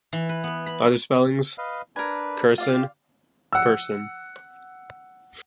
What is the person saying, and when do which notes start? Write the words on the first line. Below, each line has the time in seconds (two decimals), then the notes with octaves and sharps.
"Other spellings": Curson, Pursan.
0.13 E3
0.29 B4
0.44 B3
0.66 B5
1.58 B4 D#5 F5
1.96 D4 A#4 B4 G#5
2.58 F4 D5 F5
2.71 G4
3.53 F#5 E6